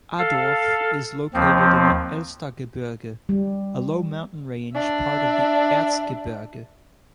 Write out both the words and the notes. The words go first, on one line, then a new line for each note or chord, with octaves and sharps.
Adorf is located in the Elstergebirge, a low mountain range, part of the Erzgebirge.
A4 F5
D#2 F3 C4
G3
D4 E5